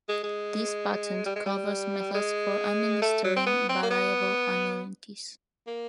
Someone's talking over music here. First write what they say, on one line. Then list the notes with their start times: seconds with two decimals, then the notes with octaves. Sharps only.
This patent covers methods for administering variable annuities.
0.09 G#3
0.23 G#3
1.26 G3
1.36 G#3
1.46 G3
2.14 G#3
3.02 A3
3.24 F#3
3.36 C4
3.46 B3
3.69 C4
3.83 A#3
3.91 B3
5.67 A#3